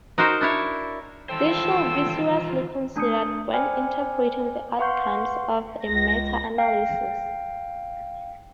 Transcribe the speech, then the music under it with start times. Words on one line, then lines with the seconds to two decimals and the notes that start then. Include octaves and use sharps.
This should be seriously considered when interpreting the outcomes of a meta-analysis.
0.18 D#4 F#4 A#4 C5
0.41 D4 E4 C#5
1.29 D#3 E3 F4 A4 C5 G5 C6 E6
2.96 A3 D4 A5 D#6 G6 C#7
3.53 C5 D5 G5 G#5 B5 F6
4.79 B4 F5 F#5 C6 C#6 G6
5.86 C#2 A#6
6.58 F5 G5